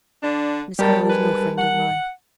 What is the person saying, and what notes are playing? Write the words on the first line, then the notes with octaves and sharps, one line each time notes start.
'Miss Hale is no friend of mine.
D3 D4
B2 G3 G4 A#4 A5
G#2 B4
F#5